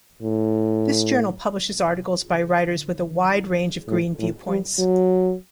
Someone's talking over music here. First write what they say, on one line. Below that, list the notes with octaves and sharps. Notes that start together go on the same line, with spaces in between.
This journal publishes articles by writers with a wide range of Green viewpoints.
A2
A2
A2
G3
F#3